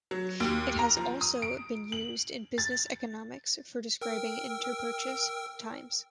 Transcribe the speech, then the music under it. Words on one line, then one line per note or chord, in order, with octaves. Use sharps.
It has also been used in business economics for describing interpurchase times.
F#3
D#2
A#5
F3
D#6
D7
F#7
A6
A#4 G5 E6